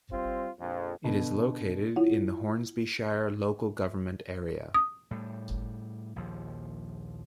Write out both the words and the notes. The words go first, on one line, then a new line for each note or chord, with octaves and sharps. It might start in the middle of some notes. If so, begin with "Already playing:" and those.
It is located in the Hornsby Shire local government area.
G3 C4 F4
A#1 F2
B2 D3
E4 F4 C#5 F#5
D#6
A2 G3
A#1 D#2 F3